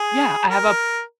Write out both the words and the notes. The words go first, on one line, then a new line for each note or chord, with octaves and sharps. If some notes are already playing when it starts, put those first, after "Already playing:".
Yeah, I have a
Already playing: G#4
A#4